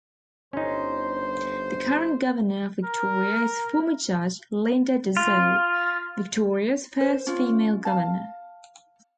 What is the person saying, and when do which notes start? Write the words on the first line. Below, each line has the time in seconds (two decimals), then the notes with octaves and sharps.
The current Governor of Victoria is former judge Linda Dessau, Victoria's first female governor.
0.53 G1 C#4 D#4 C5
2.85 A#4
5.17 F4
7.01 C5
7.27 C#4 F4
7.85 F5 A5